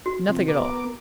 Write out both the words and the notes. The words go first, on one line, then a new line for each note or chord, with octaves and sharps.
"Nothing at all."
F#4
C3 F3
B3 A#4 D6